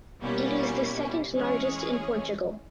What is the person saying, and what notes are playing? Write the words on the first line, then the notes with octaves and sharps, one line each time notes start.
It is the second largest in Portugal.
B2 G3 A#3 C#4 E4
E3 G#3 C#4 G#4 C#5